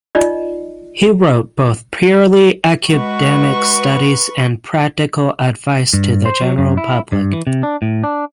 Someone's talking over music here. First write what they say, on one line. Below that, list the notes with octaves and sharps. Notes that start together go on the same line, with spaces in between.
He wrote both purely academic studies and practical advice to the general public.
D#4 F4 D5 D#5
G#3 F#4 B4 C#6
G2
C5
F#3
F#2
E4
G2
E3
C3
D4
A2
D4